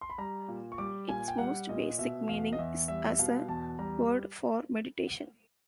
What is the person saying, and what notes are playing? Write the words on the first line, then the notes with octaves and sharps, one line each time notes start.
Its most basic meaning is as a word for meditation.
C6
B5
G3 A#5
A#2
C#6
G3 D6
A#2 G#5
G5
G3 F#5
A#2 D#5
B2 E5
E2 F5
D#5
E2 E5
G3 E5
B2 F5
E2 A5
G3 A#5